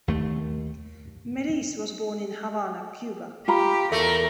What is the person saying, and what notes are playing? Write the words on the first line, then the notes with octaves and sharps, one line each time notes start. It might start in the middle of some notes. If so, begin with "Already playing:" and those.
Melis was born in Havana, Cuba.
D#2 A3
F4 G4 A#5 B5
E2 A3 A#4